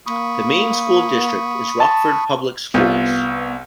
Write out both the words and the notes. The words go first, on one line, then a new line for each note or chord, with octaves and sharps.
The main school district is Rockford Public Schools.
A#3 B5 C#6 D#6
A5
C2 B3 F4